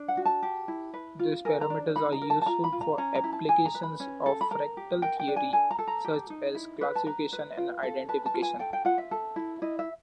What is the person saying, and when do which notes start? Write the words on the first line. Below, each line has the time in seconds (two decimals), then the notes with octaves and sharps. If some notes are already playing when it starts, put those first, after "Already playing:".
These parameters are useful for applications of fractal theory such as classification and identification.
Already playing: D4
0.08 F#5
0.17 F#4
0.25 A5
0.43 G4
0.68 E4
0.94 B4
1.19 F4
1.45 A#4 G#5
1.61 A#5
1.70 D4
1.96 D#4 B5
2.12 A#5
2.22 A#4
2.30 A5
2.42 A5
2.46 F4 A#5
2.64 B5
2.72 F4
2.81 A#5
2.98 C#4 A#5
3.15 A#5
3.24 E4
3.32 A5
3.49 G#4 G#5
3.66 A#5
3.75 B4
3.83 B5
4.00 C#4
4.26 A4
4.41 B5
4.51 A#4 A#5
4.77 G4
5.02 A#4 G5
5.20 G5
5.28 D4
5.36 G#5
5.53 A4 G#5
5.71 A#5
5.79 A4
5.87 A#5
6.05 G4
6.30 D#4
6.55 E4
6.81 B4
6.95 A5
7.07 B4 A#5
7.33 B4
7.57 F4
7.83 A4
8.09 B4 A5
8.26 A5
8.34 F4
8.42 G#5
8.59 A4 G5
8.73 G5
8.85 F4 F#5
8.98 E5
9.11 A4
9.36 E4
9.62 E4 D#5
9.79 E5